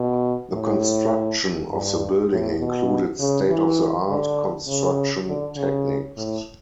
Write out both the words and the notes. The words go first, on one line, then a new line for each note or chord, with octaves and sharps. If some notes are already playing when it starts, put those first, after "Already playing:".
The construction of the building included state-of-the-art construction techniques.
Already playing: B2
A2
G2
A2
B2
C#3
E3
D3
C#3
D3
C#3
A2